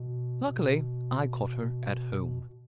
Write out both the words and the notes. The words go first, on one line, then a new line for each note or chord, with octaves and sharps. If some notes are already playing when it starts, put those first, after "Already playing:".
Luckily, I caught her at home.
Already playing: B2
B2